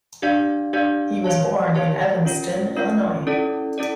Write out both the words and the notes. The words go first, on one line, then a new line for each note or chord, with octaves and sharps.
He was born in Evanston, Illinois.
D4 G4 D5 F5
D4 G4 D5 F5
G4 C#5 F5 A5
G4 C#5 F5 A5
C#4 F4 A#4
C#4 F4 A#4
C#4 E4 A4 D5
C#4 E4 A4 D5